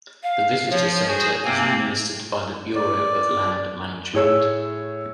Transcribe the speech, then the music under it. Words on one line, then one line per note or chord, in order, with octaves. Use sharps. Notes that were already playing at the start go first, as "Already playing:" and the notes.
The visitor center is administered by the Bureau of Land Management.
F5
F3 C#5
F#4 G#4 C5 G#5
C3 A#3 C4
D5
A2 G#4 C#5 E6